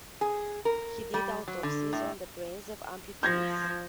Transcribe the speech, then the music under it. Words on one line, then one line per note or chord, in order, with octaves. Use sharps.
He did autopsies on the brains of amputees.
G#4
A#4
G3
F#3
D3
A2
F3 G6 G#6 A#6